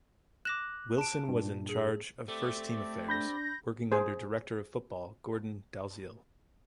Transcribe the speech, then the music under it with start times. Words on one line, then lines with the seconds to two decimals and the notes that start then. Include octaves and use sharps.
Wilson was in charge of first-team affairs, working under Director of football, Gordon Dalziel.
0.45 D6 F#6 A#6 E7
0.98 A5 D7
1.28 G2 A#2
1.69 G#4
2.28 A3 C4 G4 D5
3.09 D4 B5 G6 A#6
3.92 G#4 C5